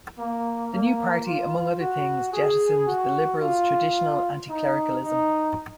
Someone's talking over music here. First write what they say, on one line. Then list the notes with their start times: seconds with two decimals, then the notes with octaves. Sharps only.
The new party, among other things, jettisoned the Liberals' traditional anti-clericalism.
0.18 A#3
0.71 A#3
1.25 F4
1.80 F#4
2.33 G#4
2.87 F#4
3.41 F4
4.49 D#4
5.03 D#4